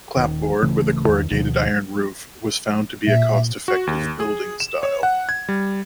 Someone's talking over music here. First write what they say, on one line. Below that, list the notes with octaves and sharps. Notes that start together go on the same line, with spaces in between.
Clapboard, with a corrugated iron roof, was found to be a cost-effective building style.
D#1 B1 D#3
D1 C#3 E3 A3
E2 D#3
D2 B2 D#3 F3
A#2 E5
F#4
D#2
G#4
E7
C#5
F#5
G#6
G3